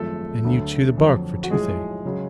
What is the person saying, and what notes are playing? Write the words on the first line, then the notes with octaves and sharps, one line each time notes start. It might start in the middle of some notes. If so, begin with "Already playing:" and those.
"And you chew the bark for toothache."
Already playing: G#1 F#2 F3 A3 A4
D2 D3 F#3
F2 D3 F#3
F#4
B1 A2 F3 G#3 G#4
C#3 F#3